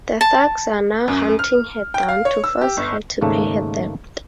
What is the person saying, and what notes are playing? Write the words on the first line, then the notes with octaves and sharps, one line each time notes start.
The thugs are now hunting her down to force her to pay her debt.
A5
F#2
F6
G5
F5
C#5
E6
G4
G1
D#2 G#2 C#3 A3 A#3